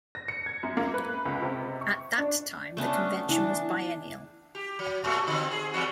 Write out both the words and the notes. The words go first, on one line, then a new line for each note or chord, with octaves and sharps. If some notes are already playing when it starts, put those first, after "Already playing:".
At that time the convention was biennial.
A#6
C#7
G#6
F#2
A#3
B4
C#2
C3
C#6
D4
A3 B3 C#4 D4
E3 D4
G4
F#3
A2 A3 F#4
D3 C4
G#4
E2 G3 F#4